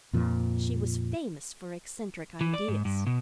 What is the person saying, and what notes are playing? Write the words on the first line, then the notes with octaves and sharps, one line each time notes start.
She was famous for eccentric ideas.
F2 A#2 F3
E3
D5
G#2
G2
B2